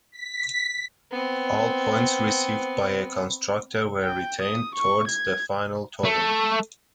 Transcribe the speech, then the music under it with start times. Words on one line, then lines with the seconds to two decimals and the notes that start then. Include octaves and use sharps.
All points received by a constructor were retained towards the final total.
0.11 B6
1.12 B3 C4
4.03 G5
4.42 D#6
4.75 C#6
5.08 G#6
6.04 A3